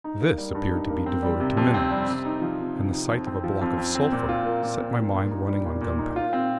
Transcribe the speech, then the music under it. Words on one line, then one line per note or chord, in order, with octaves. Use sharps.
This appeared to be devoted to minerals, and the sight of a block of sulphur set my mind running on gunpowder.
D#4
A#3
G3
G2
D#4
A#3
C4
G3
C3
F2
C4
G3
C3
D#4
F3
C3
C3
D#4
F2
C4
F3
F2
F2
C4
A#2
F4
A#3
A#2
A#2
F4
A#2
D#4
G3
A#2
A#2
D#4
F4
C4